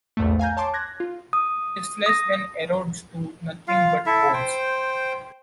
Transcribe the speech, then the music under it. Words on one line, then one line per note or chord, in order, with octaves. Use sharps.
His flesh then erodes to nothing but bones.
A#1 E2 G#2 A3
F5 G#5 A#5 G6
C#5 A5 C6 D6
F#6 G#6 A#6
F4
D#6
D#6 A#6
F4 F5
E4 A4 E5
C5 G5